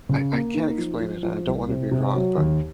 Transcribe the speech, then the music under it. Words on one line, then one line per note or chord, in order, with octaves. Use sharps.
I I can't explain it and I don't wanna be wrong, but
C#3
A#3
D#4
F3
F3
F3
C2
C3
C3
F#3
D#2